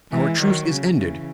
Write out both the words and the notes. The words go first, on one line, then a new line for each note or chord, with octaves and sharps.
"Our truce is ended."
E3 G#3
D#3 F#3
C#3
C#3 E3